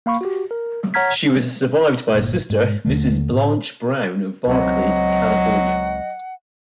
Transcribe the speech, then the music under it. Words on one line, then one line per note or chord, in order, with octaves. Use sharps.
She was survived by a sister, Mrs. Blanche Brown of Berkeley, California.
A#3 F5 B5 C#6
F#4 G4
A#4
C#5 F#5 A#5 F6 G#6 B6
G1 A#2
G#2
D#2 D3 A3
A2
C#2 F#3 C4 D#5 F#5